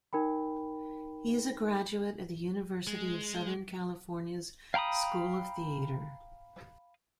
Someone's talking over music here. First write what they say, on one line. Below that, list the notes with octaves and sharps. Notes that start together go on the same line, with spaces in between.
He is a graduate of the University of Southern California's School of Theatre.
D#4 A#4 G5 B5
G#3
F5 G5 A#5 B5 D#6